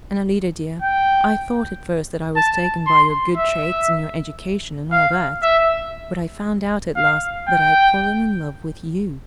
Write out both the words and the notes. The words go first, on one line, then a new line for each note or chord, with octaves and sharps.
And, Alida, dear, I thought at first that I was taken by your good traits and your education and all that, but I found out at last that I had fallen in love with YOU.
G5
A5
C6
E5
F5
E5
F5
G5